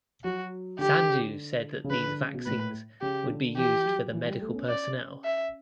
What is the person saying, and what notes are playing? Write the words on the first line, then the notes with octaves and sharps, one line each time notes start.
Sandu said that these vaccines would be used for the medical personnel.
F#3 F#4
D3 G4
C#3
D3 B4
D3
C#3
B2
A2 B4
C#3 G4
D3
E3 G4
F#3
E3
G3
A3
B3
C#4
C#4 D5
E5